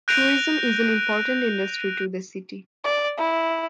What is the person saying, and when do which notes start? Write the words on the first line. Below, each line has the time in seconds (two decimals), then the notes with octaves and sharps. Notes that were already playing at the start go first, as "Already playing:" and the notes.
Tourism is an important industry to the city.
0.08 F#6 G6 A#6 D7 D#7 F7
2.84 D5
3.18 E4